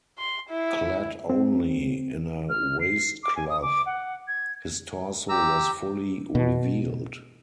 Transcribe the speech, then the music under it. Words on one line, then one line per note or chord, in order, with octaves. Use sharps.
Clad only in a waist-cloth, his torso was fully revealed.
C6
E4
C4
F6
C7
D6
G#5
D#6
D6
F#5
G#6
G4 A#5 E6
B2